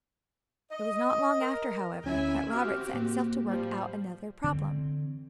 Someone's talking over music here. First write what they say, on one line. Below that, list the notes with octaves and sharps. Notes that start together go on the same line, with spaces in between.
It was not long after, however, that Robert set himself to work out another problem.
D#5
A#4
D2 C#4 E4 E5 G#5
C4 F#4 G4 D6 F6
A2 A#3
F3 G3
D3 E3 C4